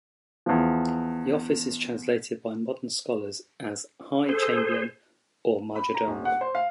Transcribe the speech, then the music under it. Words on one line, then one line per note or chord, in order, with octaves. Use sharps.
The office is translated by modern scholars as "high chamberlain" or "majordomo".
E2 F3
G#4 A4 C5
B5
A#5
D#1
F#5
C5
F5